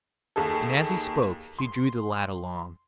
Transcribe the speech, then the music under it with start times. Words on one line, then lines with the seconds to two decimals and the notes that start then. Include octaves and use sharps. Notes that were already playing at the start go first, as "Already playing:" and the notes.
And as he spoke he drew the lad along.
0.36 D#2 G#4 A4
1.59 C6